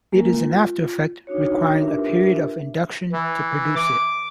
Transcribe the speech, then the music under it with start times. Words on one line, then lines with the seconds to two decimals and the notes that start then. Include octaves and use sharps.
It is an aftereffect requiring a period of induction to produce it.
0.12 G#3 A#3 C#4 A#4
0.33 F4
1.27 D4 D#4 F#4 C#5
1.80 D4 F4 G4 A#4 B4 E5
3.12 E3
3.76 D6